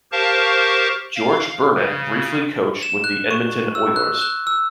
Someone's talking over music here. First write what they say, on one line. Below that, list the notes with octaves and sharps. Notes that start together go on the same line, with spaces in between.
George Burnett briefly coached with the Edmonton Oilers.
G4 A#4 C5 F5 A5 C#6
F5
C#3
E7
F#6
C#6
E6
F#6
F#6
E6